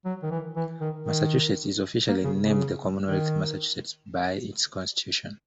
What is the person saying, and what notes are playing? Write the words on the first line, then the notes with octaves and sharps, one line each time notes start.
Massachusetts is officially named "The Commonwealth of Massachusetts" by its constitution.
F#3
D#3
E3
E3
D#3
D#3
A#3
C#3
C#3
D#3